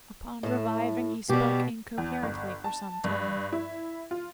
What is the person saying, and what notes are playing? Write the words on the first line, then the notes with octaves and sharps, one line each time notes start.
Upon reviving he spoke incoherently for some time.
A2 A3
B2 G3 G4
E2
G1
A5
G2
E4
F4